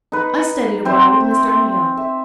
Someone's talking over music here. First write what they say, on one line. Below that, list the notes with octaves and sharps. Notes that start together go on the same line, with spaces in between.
I studied awhile with Mr. Underhill.
D#4 B4
C4 C5 E5
E5